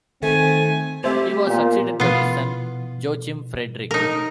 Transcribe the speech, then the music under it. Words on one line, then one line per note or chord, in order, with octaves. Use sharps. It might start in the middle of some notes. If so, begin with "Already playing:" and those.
He was succeeded by his son Joachim Frederick.
D#3 A3 C4 G#5
A3 C4 G4 C5 E5
A#2 B3
B2 E3 B3 F4
D#4 A#4